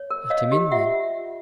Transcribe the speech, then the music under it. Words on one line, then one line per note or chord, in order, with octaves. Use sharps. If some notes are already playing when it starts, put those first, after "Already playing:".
"Let him in, then."
Already playing: C#5
A#4
C#5 D#5 F5
G4
F4 E5 F#5